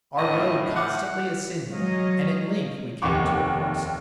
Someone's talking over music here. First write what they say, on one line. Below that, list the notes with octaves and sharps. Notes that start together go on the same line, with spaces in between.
Our road constantly ascended, and at length we came to a crossing.
A2 D#5
F#5
F#3 G#3 C#5 D#5 F5
F1 D#2 F#5 C#6 D6